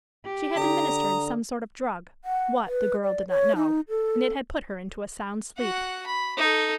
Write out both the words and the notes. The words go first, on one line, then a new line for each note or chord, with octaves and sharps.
She had administered some sort of drug--what, the girl did not know--and it had put her into a sound sleep.
G4
D3 A#5 D#6
F#5
B4
D5
C#5
D#4
A4
F#4 F#5
B5
D#4 A4